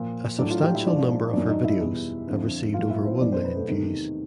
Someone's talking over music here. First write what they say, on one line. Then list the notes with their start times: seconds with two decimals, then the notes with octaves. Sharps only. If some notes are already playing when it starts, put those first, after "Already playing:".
A substantial number of her videos have received over one million views.
Already playing: A#2 F3
0.39 A2 F#3 D4 D5
0.50 F4 F5
0.62 G4 G5
0.75 E4 E5
0.86 G#2 F3 D4 D5
1.33 F#2 D#3 F#3 D4 D5
1.48 D#4 D#5
1.64 E4 E5
1.80 E2 B2 G3
2.28 F2 D3 F3
2.74 A#2 F#3 F4 F5
2.90 E4 E5
3.05 C4 C5
3.21 E2 B2 F#3 D4 D5
3.32 C4 C5
3.44 B3 B4
3.56 A3 A4
3.68 E2 C3 D#3